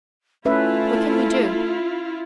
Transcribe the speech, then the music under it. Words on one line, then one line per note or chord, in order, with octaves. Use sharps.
What can we do?
A3 C#4 E4 F4 B4 E5